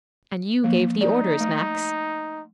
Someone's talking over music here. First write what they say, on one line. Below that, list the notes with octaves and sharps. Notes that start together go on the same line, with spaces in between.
'And you gave the orders, Max!
F3 A#3
D#4 D5
A3